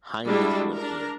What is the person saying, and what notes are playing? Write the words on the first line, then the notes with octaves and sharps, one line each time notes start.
Hindus live here.
G3 G#3 D4 E4 F#4
D4 A#4